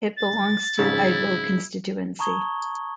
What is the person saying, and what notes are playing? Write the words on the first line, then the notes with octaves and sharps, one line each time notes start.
It belongs to Aiwo Constituency.
A6
F2 G#2 C#3 E4
A5 A#5 C#6 D#6 G#6 G7